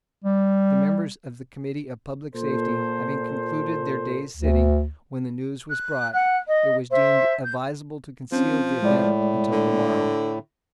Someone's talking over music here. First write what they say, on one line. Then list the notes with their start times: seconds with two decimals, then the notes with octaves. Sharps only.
The members of the Committee of Public Safety having concluded their day's sitting when the news was brought, it was deemed advisable to conceal the event until the morrow.
0.24 G3
2.35 A#2 A4 C5
4.37 D2
5.70 F#6
6.12 F#5 F#6
6.46 D#5
6.89 C5 E5
7.43 G6
8.32 F3 C4 C#4
8.82 A2 G#3 D5
9.52 D3